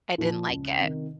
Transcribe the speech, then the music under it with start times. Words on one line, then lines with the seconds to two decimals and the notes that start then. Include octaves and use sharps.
I didn't like it.
0.18 A#2 F3
0.49 C#2
0.80 C3 D#3